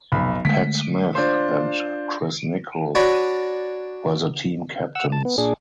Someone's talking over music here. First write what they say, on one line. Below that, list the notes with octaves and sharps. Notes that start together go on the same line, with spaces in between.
Pat Smith and Chris Nichol were the team captains.
F1 B1 B5
D3 G#3 A3 B6
D4 F4 C5
D4 F#4 C#5 D5 A#5 B5
F#5 E6
A5
B3
A#2 D4 G#4